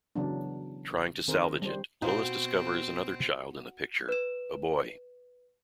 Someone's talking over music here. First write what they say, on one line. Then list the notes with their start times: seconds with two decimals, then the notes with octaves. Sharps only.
Trying to salvage it, Lois discovers another child in the picture: a boy.
0.16 C#3 E3 F#3 B3 D4
1.28 D#3 C4 G#4 A#4 C5
1.62 G3 C5
2.02 B2 B3 C4 D#4 F4 F#4 C5 F#5
4.09 B4 E7